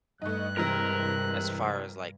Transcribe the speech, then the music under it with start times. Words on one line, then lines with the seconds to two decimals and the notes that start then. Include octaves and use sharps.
as far as, like,
0.22 G2 A3 D#4 F#6
0.57 C3 E3 G#3 A#4 A#5